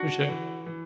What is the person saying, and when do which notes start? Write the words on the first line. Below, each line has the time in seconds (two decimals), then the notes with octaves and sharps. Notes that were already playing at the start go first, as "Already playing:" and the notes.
For sure.
Already playing: D4 F#4
0.28 E3
0.66 E3